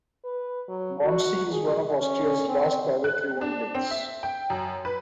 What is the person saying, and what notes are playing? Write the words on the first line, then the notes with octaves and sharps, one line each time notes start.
Mondsee is one of Austria's last privately owned lakes.
B4
F#3
F#4
G#4
C#4
C4
F#6
D4
C4
E5
G5
F#2
B4